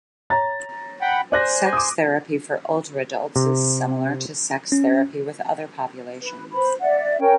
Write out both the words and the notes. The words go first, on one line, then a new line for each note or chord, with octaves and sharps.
Sex therapy for older adults is similar to sex therapy with other populations.
C#5 A#5 A6
F#5 G5 B5
C5 D5 G#5 F#6 A#6
D6 D#6
C3
C#4
B4
B4 C5 B5
D5 E5 F#5
C#4 A#4 C#5 G5